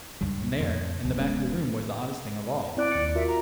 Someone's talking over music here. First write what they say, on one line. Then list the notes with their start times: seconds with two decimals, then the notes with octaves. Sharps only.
And there in the back of the room was the oddest thing of all.
0.21 C#2 G2 G3
0.59 F2 A#2
1.04 C#2 F3
1.19 E1 G#3 B3 C#4
2.77 C4 E4 D5 F#6
2.92 D#2 C#7
3.15 F4 F#4 A#4 E5
3.28 A#5